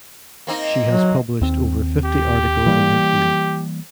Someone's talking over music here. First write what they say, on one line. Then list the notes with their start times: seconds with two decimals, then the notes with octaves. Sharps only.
She has published over fifty articles in her field.
0.47 A#3 C4 D#4
0.88 F#3
1.41 D#2 C4
2.04 G4
2.66 E3 G3 A#3